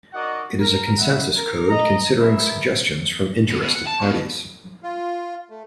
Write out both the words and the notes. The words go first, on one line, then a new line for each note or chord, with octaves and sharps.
It is a consensus code considering suggestions from interested parties.
D#4 F#4 A#4 D5 D#5 F#5
A#4
D#4 E4 E5 F#5
A#4
D#5 A#5
G#4 A#4 B4 E5
B2
B2
F#5
A5
B2
F4
A3